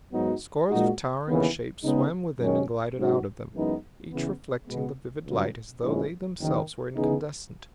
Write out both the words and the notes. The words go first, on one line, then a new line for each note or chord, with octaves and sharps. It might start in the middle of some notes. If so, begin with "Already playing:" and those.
Scores of towering shapes swam within and glided out of them, each reflecting the vivid light as though they themselves were incandescent.
G#2 F#3 B3 D#4 F#4
A#2 G#3 D#4 F#4
D#2 C#3 E3 B3
C#3 G#3 B3 D#4
F#2 D#3 G#3 C#4
G#2 F#3 C#4 F#4
F#2 E3 G#3 B3 D#4
C#3 E3 B3
B2 G#3 B3
C#2 C#3 F#3
A#1 A#2 G#3 C#4 E4
F#1 E2 D#3
C#3 E3 B3 D#4 G#4